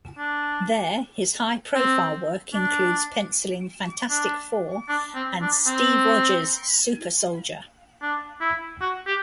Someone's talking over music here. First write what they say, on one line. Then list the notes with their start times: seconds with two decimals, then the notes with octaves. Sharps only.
There, his high-profile work includes pencilling "Fantastic Four" and" Steve Rogers: Super-Soldier".
0.19 D4
1.75 C4
2.54 D4
4.10 D4
4.89 D4
5.15 C4
5.42 D4
5.67 C4
8.02 D4
8.41 E4
8.81 F#4
9.07 G4